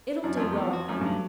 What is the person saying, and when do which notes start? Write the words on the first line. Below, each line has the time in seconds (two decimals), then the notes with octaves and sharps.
'It'll do well enough.
0.24 F#2 D4
0.37 F2 A3
0.52 E2 F3
0.65 F2
0.73 F#4
0.88 F#2 A3
1.01 G2 F#3